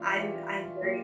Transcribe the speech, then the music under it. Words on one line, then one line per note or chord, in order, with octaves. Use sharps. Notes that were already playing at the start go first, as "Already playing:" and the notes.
I'm I'm very
Already playing: E3 A3 D4 F4 G4
E3 A3 D4 G4
F#3 A#3 D4 G4